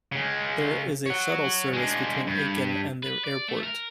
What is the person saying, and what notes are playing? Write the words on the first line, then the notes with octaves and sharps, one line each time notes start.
There is a shuttle-service between Aachen and the airport.
C#3 G#3
C#5 F#5
G#3 D4
G2
B4
D5
A3
A#4